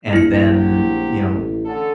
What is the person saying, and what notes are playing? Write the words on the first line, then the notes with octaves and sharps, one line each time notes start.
and then, you know,
A#1 E4 C#7
F#3 G4 C5
A1
D3 C#4 A4